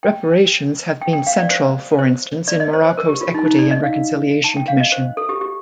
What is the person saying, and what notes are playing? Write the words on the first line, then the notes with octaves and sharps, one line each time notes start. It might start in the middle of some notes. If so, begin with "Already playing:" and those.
Reparations have been central, for instance, in Morocco's Equity and Reconciliation Commission.
G5
G5
G5
F5
D5
C5
C5
D5
D#5
C5
C5
A#4
G4
F4
D#4
D#4
D5
D#5
F5
A5
G5
F5
D#5
C5
A4
G4
G4